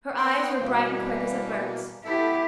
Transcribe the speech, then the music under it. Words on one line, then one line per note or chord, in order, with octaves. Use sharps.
Her eyes were bright and quick as a bird's.
B3 G5 C6
B2 E3 G3 A#3
B3 E4 G4 A4